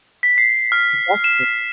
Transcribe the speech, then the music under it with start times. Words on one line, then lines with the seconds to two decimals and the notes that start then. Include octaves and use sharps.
That's good.
0.23 B6
0.38 C7
0.72 F6
1.24 E7